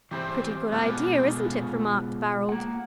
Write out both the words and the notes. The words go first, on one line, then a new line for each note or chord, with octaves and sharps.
"Pretty good idea, isn't it?" remarked Barold.
E3 C4 G4 C5 B5
B2 G#3 F4 A4 F5 F#5 D6
A#3 F#5